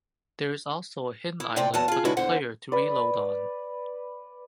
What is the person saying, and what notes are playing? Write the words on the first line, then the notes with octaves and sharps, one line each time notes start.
There is also a hidden island for the player to reload on.
E4
A2 C3 A3 C4 D5 G5
E2 F#3 B3 F#4 A5
F4 G#4
C#3 G#3 D4 E4 F#4 B4
E2 D3 E3 C5 F#5
B4 D5